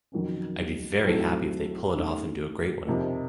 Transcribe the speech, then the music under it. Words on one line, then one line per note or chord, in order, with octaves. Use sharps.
'I'd be very happy if they pull it off and do a great one'.
F2 D#3 F#3 A#3 C#4
A2 F#3 C4 D#4 A4
D#2 D#3 A3 C#4
F2 C3 F3 A#3 D#4